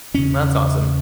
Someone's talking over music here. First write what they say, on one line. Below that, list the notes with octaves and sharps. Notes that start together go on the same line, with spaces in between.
That's awesome.
E2 C#3 C#4